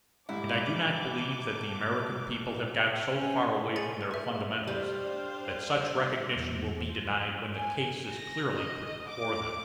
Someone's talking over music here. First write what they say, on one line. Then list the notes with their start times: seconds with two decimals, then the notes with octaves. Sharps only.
And I do not believe that the American people have got so far away from their fundamentals that such recognition will be denied when the case is clearly put before them.
0.29 D#1 G#2 E4 A5 D6
3.16 C#4
3.76 G#4 G#5 A6 C#7 D#7 F#7
4.11 B4 E5
4.68 G3 D4 C5 F5
6.36 E2
6.80 C5
7.55 G#5
8.12 A#6
8.55 D#5
9.08 D6